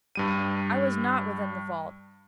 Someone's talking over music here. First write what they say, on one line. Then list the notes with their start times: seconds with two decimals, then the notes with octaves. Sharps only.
I was not within the vault.
0.15 G2 G3 D#7